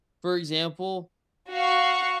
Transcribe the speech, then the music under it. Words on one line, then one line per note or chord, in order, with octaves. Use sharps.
for example,
F#4 F5 C#6